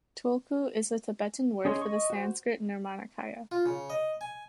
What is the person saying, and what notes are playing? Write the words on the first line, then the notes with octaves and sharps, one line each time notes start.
Tulku is the Tibetan word for the Sanskrit "nirmanakaya".
C#4 G#4 C#5 D#5 C6
D#5 C#6
F#4 C5
F4
C#3
D#5
G#5